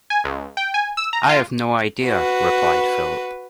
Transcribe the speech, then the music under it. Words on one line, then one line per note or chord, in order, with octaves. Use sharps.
I have no idea, replied Philip.
G#5
C#2
G5
G#5
E6
A#5
F4
F#4 B4